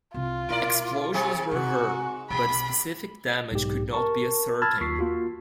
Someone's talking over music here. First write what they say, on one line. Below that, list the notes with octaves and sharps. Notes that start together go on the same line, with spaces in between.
Explosions were heard, but specific damage could not be ascertained.
C2 C3 F4
B2 E4 A#4 D5
F#3 C4 G#4
G#2 C3 F#4
B1 B2 B5
B1 G#2 G4
A#4 A5 C#6
A5 B5 E6 F6 G#6 A6
D#2 F4 C#6 B6 C7
A#3 F4 F#4